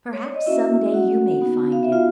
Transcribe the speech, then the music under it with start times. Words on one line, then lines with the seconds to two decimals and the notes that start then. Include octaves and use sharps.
Perhaps some day you may find it.
0.13 C#5
0.24 D5
0.35 D#5
0.46 A#3 C#4 E4 F#4 E5
0.93 F#4 F#5
1.41 B3 D#4 F#4
1.72 F5
1.83 E5
1.92 F4 F5